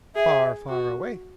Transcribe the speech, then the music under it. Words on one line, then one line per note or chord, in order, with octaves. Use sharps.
"Far, far away!"
G#4 E5
F#4